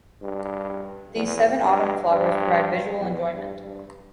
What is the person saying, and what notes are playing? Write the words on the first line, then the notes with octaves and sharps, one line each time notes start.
These seven autumn flowers provide visual enjoyment.
G2
E2
G2
G2
E2
G2
G2